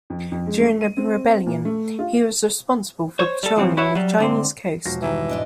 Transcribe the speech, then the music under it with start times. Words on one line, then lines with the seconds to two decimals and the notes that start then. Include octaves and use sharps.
During the rebellion, he was responsible for patrolling the Chinese coast.
0.10 F2
0.32 F2
0.47 G#3
0.60 A3
0.81 D#7
0.97 C4
1.46 A#2
1.65 A3
1.99 F4
3.19 C5 C#5
3.43 G3 A4
3.56 D#2 A2 F3 F#3 C4
3.77 E4 F#4 B4 C#5 E5
3.95 F#3 G3
4.18 G#2 D3 C4
4.85 E1 F3 F#4 A#6
5.02 G2 D#3 E3
5.29 G#2 D4 D#5